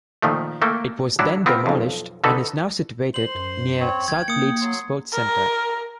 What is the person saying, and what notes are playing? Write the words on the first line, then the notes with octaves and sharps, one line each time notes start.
It was then demolished and is now situated near South Leeds Sports centre.
A#2 D#3 F3 A3
A3 A#3 A4 G5
F#3 G3 D4 E4 F#4
B3 C4 F4 A#4
B1 F2
D3 D#4 F#4 A4 B4
C5 C6 F#7
F#2
C4 C#5
D#1 G5 G#6
A#3 D#6 C#7
F#3 C6
A#4